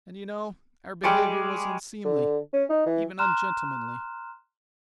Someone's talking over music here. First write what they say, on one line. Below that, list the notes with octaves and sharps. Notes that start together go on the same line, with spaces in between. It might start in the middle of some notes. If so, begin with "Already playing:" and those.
And, you know, our behaviour was unseemly, even ungentlemanly.
G3 G#3 C#6 D6
D3
C#4
D#4
E3
A#5 C6 F6 F#6 E7